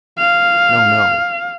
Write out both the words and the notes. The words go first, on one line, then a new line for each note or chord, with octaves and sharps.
No, no.
F5